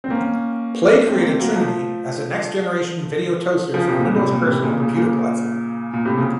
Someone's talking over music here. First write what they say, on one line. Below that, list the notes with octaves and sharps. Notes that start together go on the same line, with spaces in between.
Play created Trinity as the next-generation Video Toaster for the Windows personal computer platform.
C4
A#3 C#4
A3 C4
A#3
A3 C4
F#3 A#3
F3 A3
C#3 F3
C3
A#2 C#3
A2 C3
A#2
A2 C3
A#2 C#3
A#2 C#3
A#2 C#3
A#2
A2 C3
A#2 C#3